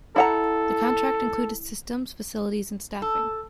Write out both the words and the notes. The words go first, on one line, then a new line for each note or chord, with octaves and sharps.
The contract included systems, facilities, and staffing.
E4 A4 F#5 A#5
A4